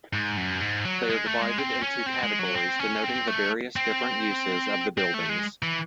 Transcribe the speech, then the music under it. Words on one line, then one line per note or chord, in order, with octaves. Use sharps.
They are divided into categories denoting the various different uses of the buildings.
G#2
F#2
G#2
F#3
G#3
A3
G#3
C4
C#4
C4
G#3
F#3
C4
C#4
C4
A3
C4
C4
A3
G#3
E3